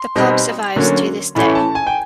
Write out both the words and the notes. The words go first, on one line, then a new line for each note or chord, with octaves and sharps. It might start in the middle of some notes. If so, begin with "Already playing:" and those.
The pub survives to this day.
Already playing: C6
B2 G3 C4 D#4
D3 F#3 A#3 C#4
A2 E3 A3 C#4 B5
A5
G#5
G5